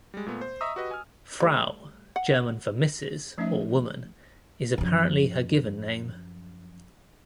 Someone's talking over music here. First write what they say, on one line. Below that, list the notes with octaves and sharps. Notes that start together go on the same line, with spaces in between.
"Frau", German for "Mrs." or "woman", is apparently her given name.
G3 G#3
A#2 A3 B3
C5
D#5 E5 A#5 C#6 D#6 E6
F#4 G4 B4 D#5
G#5 F6
G3 A3
F#5
F3 A3 C#4 D#4 D#5 E5
F#2 F3